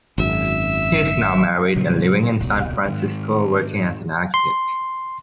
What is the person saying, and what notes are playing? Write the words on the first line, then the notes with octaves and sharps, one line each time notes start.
He is now married and living in San Francisco working as an architect.
G#1 F#2 E5
A#2 C#3 F#3 G3
D#1 C2 B2
G#2 D#3
C6